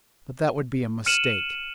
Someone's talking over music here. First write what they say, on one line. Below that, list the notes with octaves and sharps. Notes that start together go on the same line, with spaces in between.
But that would be a mistake.
F6 C#7 D#7 E7 F#7